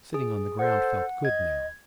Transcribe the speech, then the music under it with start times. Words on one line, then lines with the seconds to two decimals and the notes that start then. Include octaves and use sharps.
Sitting on the ground felt good now.
0.14 G#4
0.59 A4 C5 F#5
1.25 D#5 G#6